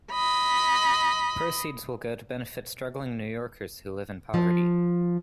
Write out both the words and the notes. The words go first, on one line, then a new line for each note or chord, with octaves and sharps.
Proceeds will go to benefit struggling New Yorkers who live in poverty.
D#5 B5
F3